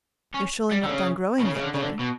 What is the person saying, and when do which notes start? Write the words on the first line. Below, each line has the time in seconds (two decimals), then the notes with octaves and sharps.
You're surely not done growing yet, though!
0.34 C#4
0.71 G3
0.83 D3
0.90 C#3
1.40 B2
1.45 C#3
1.55 C#3
1.63 D3
1.74 C#3
1.81 D3
1.99 B2